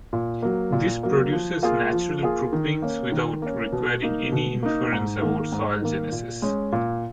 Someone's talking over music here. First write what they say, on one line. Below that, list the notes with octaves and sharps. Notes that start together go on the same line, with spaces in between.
This produces natural groupings without requiring any inference about soil genesis.
A#2
F#3 A#3
A#2
F#3 A#3
F3
A#3 F4 G#4
F3
A#3 F4 G#4
D#3
A#3 C#4
D#3
A#3 C#4
B2
A#3 D#4
B2
A#3 D#4
G#2
D#3 A#3
G#2
D#3 A#3
A#2
G#3 C#4
A#2